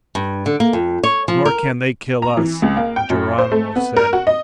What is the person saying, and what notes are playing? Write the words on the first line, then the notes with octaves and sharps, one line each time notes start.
"Nor can they kill us," Geronimo said.
G2
D3
A#3
F2
C#5
F3
A#4
A#5
E3
C#2
A#3
G5
F#2
C5
A3
B3
A#4
F#4
D#5